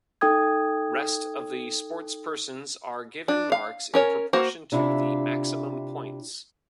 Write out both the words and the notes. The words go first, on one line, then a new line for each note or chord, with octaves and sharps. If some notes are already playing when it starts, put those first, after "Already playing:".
Rest of the sportspersons are given marks in proportion to the maximum points.
D#4 A4 G5 D#6 G#6
D4
F5
C#4 A#4 C#5
A#3 F#4 C5
C3 D4 E4 F4